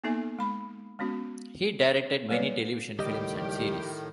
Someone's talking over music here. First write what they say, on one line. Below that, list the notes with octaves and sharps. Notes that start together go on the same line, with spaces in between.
He directed many television films and series.
A#3 B3 D#4 A4 E5 G#5
G#3 B5
G#3 B3 C#4 F#4
F#3 G3 A#3 B4 C#5 D5
C#2 A2 D#3 G3 G4 D#5